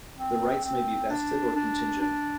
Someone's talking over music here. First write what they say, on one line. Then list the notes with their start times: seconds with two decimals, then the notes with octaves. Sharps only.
The rights may be vested or contingent.
0.19 C4
0.64 C4
1.10 D4
1.55 D4
2.01 D4